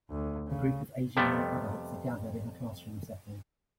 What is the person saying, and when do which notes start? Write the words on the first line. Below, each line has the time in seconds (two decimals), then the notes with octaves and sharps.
A group of Asian young adults are gathered in a classroom setting.
0.10 D2
0.48 C#3
1.17 F2 C3 G3 A3 B3